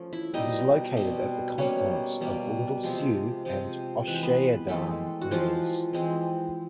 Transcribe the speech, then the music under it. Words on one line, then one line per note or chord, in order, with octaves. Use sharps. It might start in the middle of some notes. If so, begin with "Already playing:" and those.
It is located at the confluence of the Little Sioux and Ocheyedan Rivers.
Already playing: F3 A3 C#4
E4 E5
B2 G3 C4 D#4 D#5
B2 G3 C4
B2 G3 A#3 C#4 C#5
B2 G3 A#3
C3 F3 G#3 C4
C3 F3 G#3 C4
E3 G#3 C4 B4
C5
B3 B4
E3 G#3 A3 C4 A4
F#4
E3 F3 G#3 C4 F4
E3 G#3 C4